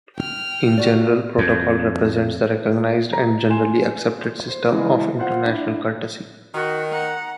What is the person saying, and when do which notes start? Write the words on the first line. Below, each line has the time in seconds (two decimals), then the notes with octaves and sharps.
In general, protocol represents the recognized and generally accepted system of international courtesy.
0.16 G5 F6
0.78 F#4 D5
1.38 F2
3.13 A#5
3.50 G#5 C6 E7
4.48 C5
4.70 C#3 E3 G#3 B3
5.19 F4 C5 F#5
5.45 D4 E4
6.54 D#3 F#4
6.92 F#5 A#5